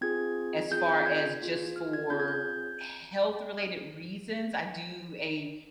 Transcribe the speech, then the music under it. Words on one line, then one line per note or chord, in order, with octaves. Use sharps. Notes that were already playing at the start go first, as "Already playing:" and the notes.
as far as just for health-related reasons, I do a
C4 F4 G#4 G#6
C4 F4 G#4 G6
G6
G#6
A#3 F4 G#4
F6
G#6
C4 F4 G#4 G6
G#6
G6